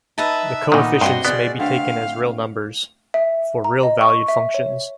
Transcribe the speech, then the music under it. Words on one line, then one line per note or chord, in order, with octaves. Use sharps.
The coefficients may be taken as real numbers, for real-valued functions.
D#4 B4 D#5 E5 A5
A#2 D#3 B3 C#4 D#4
G2 C3 F#4 D#5 C6
C#3 B3 G#4 D5
D3 A3 C4 F5
E5
A#5
D#5
C#6
E5
C#5